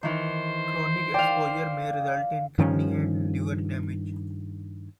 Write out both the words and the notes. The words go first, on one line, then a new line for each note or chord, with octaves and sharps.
Chronic exposure may result in kidney and liver damage.
D#3 E3 C5
D5 F5 G5
G2 D#3 F3 C#4